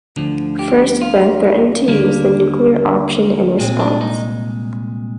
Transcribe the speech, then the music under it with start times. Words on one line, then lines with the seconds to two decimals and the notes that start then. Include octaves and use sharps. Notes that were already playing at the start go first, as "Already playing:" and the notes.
Frist then threatened to use the nuclear option in response.
0.16 D2 D3 F3
0.59 G4
1.02 F4
1.88 D#2 D3 G3 A#3
3.58 C2 A#2 G#3 C4
3.80 D4
4.01 D#4